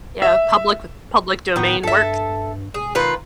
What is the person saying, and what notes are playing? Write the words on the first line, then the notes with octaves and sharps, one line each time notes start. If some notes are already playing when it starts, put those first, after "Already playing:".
Yeah, public with public domain works.
E5
A2 D#3 B3
G2 A4 E5
E1 G#4
D#3 F4 B4